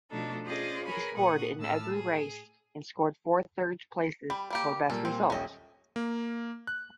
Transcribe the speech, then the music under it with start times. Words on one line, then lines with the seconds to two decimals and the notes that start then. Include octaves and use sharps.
He scored in every race and scored four third places for best results.
0.11 B2 F3 A3 D4 D#4 A4
0.44 C#4 F4 G#4 C5 D5 D#5
0.85 G#4 A#4 B4 C#5 G#5 B5
1.15 A#2 F#5 C#6 D#6
1.59 A2 A5 E6 F6
1.90 G#4
4.30 G3 B5
4.50 G3 A#3 G4
4.90 A#2 G3 A#3 A4
5.05 C4
5.30 D#1 A#1 C#4 D#5 G5
5.96 A#3
6.67 F#6